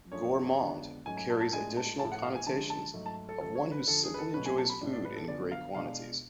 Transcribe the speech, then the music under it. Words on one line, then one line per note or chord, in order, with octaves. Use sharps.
"Gourmand" carries additional connotations of one who simply enjoys food in great quantities.
F#2 F3 A3 D4 C#5
F2 D3 G#3 B3 D4
G#2 F#3 A3 C#4 G#5
G#5
A5
A5
A2 G#3 D4 G#5
A5
A2 F3 A3 A5
F#5
F5
G#5
D3 F3 G#3 C#4 A5
A5
G#2 F#3 A3
A5
A4
C#3 F3 A3 A4
C#5
B4
F2 D3 F3 A4
G#4
B4
A4
B2 F#3 A3 C#4 B4
G#5
A5
B5
A2 G#3 D4
D5
B4
A4
F#2 D3 F3 B3 D5
F5
B2 G#3 D4 F5